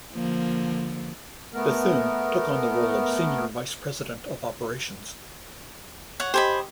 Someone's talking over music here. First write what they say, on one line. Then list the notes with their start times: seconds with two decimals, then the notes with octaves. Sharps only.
Bethune took on the role of Senior Vice President of Operations.
0.13 D3 F3 A#3
1.52 A3 B3 A#4
6.20 C#5 F#5
6.34 G4 C5 D#5 G#5 B5